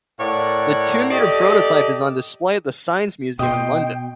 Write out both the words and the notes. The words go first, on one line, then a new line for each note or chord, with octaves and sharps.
The two-meter prototype is on display at the Science Museum in London.
A2 A#4 C#5 D5 F#5
G4 A4 D5 D#5
B2 D#5 G5 C6